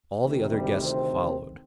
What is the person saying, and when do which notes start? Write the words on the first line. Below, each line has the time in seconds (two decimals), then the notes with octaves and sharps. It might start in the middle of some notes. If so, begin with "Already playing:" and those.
All the other guests followed.
0.22 D2 C3 D#3
0.52 G3
0.81 C4